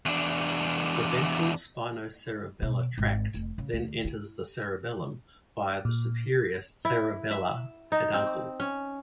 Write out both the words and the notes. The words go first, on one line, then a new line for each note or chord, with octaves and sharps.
The ventral spinocerebellar tract then enters the cerebellum via the superior cerebellar peduncle.
E2 D4
B2
G#1
F1
C#3
D2
E4
A#2
E4
E5
D#4
C4
C#4